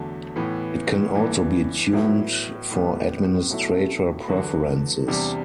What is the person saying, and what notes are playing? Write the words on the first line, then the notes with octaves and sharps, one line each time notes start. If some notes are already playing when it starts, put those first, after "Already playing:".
It can also be tuned for administrator preferences.
Already playing: E2 D3 F#3 A3
A2 E3 B3
G2 E3 B3
A2 F#3 B3 E4
A2 G3 B3
B2 F#3 A3 E4
E2 D3 F#3 B3 F#4
E2 C3 G3 D4 G4